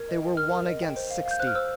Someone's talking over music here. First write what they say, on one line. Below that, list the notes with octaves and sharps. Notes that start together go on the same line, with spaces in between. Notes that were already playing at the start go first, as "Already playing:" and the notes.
They were one against sixty.
Already playing: A#4 G#6
D#5
G5
A#4 F6
A#4
D#5
G5
C5
F5
F5
G6
C5 F#6
F6
C5 E6